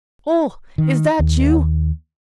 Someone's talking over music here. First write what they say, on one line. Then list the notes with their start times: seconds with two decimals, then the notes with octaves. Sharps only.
'Oh! is that you?
0.78 D#3
1.19 D#2